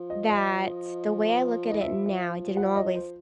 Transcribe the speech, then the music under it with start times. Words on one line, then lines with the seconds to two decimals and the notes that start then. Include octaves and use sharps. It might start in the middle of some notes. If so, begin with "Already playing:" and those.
that the way I look at it now, I didn't always
Already playing: F3
0.10 D#5
0.30 D#5
1.72 E3 D#5
1.81 F3 E5
2.06 E5
2.57 F#5
2.76 D#5
2.95 C5